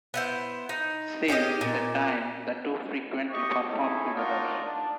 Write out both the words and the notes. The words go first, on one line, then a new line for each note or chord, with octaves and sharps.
Since that time the two frequently performed together.
B3 E4 C5
D#4
C#4 G4 G#4 D#5
A#2
G4 D#5 C#6
C#4 D#4 E4 G#4 A4
D4 D#4 F4 F#4 A#4
D4